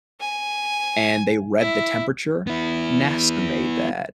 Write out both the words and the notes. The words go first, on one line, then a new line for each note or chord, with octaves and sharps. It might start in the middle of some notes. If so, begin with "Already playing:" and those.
and they read the temperature? NASA made that.
G#5
E4
B3 E4